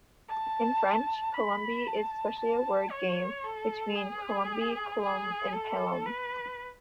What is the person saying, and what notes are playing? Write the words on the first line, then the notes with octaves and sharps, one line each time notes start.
In French, "Palombie" is especially a word game between "Colombie, Colombe" and "Palombe".
A5
B5
A5
A5
C#5
A4
G#4
G#4
A4
B4